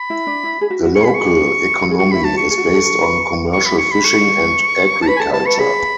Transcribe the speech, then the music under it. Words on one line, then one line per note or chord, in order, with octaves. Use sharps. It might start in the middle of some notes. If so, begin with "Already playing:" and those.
The local economy is based on commercial fishing and agriculture.
Already playing: B5
E4
D4
E4
G#4
F#4
F#4
G#4 C#6
B5
C#6
G#4
F#4 C#6
E4 B5
F#4 A5
C#6
G#4 C#6
F#4
G#4
A4
B4
C#6
B5
C#6
B5
A4 C#6
A5
B4 B5
G#5
A4 A5
B4 A5
C#5
B4 C#6
A5
G#4 B5